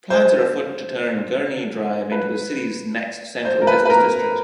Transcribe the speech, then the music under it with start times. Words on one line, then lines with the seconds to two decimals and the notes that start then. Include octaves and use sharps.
Plans are afoot to turn Gurney Drive into the city's next Central Business District.
0.10 C5
2.12 B4
3.45 C5
3.62 A#4
3.67 B4
3.85 B4
3.90 A#4